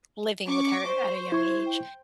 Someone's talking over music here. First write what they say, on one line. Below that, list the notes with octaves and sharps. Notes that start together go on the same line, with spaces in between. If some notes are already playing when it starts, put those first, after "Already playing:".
living with her at a young age,
C#4 C#6 D6
C5 C#6
E4 C#6 G#6
G5